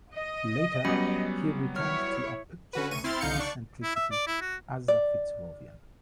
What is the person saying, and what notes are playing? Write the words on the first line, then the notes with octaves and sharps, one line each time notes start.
Later he returned to a picturesque eccentricity as a Fitzrovian.
D#5
F#3 G3 B3 C#4 B5 C#7
E4 C#5 F6
C#4 F#4 B4
D2 C#6 D#7
C4 E4 C6 F6 A6
C2 D3 D#4 F5 G6 C#7
D4 D5 C#6
E4
E5
D5
E4
F#4
D5